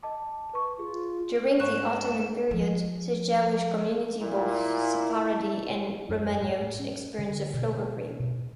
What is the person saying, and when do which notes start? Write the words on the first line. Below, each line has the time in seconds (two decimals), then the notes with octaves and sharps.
During the Ottoman period, the Jewish community, both Sepharadi and Romaniote, experienced a flowering.
0.03 D#5 A5 D6
0.53 B4 C#6
0.79 F4 G#4
1.60 G#2 C#6 F#6 E7
2.51 F3
4.20 A#2 E4
6.09 F#2
6.41 A2
6.79 C#4
7.19 D3
7.54 B2
8.20 B2